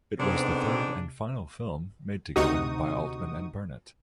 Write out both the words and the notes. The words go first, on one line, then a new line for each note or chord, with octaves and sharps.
It was the third and final film made together by Altman and Burnett.
F2 G#2 C3 B3 C4 D4
D2 C3 D#4 F#4 C#6 D#6